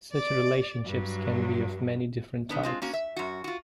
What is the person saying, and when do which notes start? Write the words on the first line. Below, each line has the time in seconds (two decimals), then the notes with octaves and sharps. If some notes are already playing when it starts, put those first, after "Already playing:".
Such relationships can be of many different types.
0.12 D5
0.85 G2 F#3
2.49 D#3 B3 D4
2.63 G#3 C4 F4
2.82 A#3 C#4 F#4
2.93 E5
3.17 F#2 F#4
3.44 F4 F#4